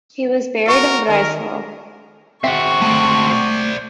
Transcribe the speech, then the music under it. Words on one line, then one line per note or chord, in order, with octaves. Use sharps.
He was buried in Breisgau.
F#4 A#4 B4 D#5 C#6
D#3 A#4
C4 F#4 E5 C#6
D3 G#3 A3
C5 D5